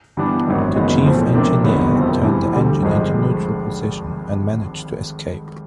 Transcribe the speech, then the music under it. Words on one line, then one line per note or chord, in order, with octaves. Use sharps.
The Chief Engineer turned the engine into neutral position and managed to escape.
G2 E3 G3 B3 D4
G#1 F#2 D#3
F#1 F#2 D#3 G#3 B3
B1 A2 F3 A3 C4
C#2 C3 F3 A#3 D4
G1 F#2 D#3 G#3 B3
F#1 F2 C3 F3
G2 E3 G3
D2 D3 G3
G#1 G2 D3 F3 G#3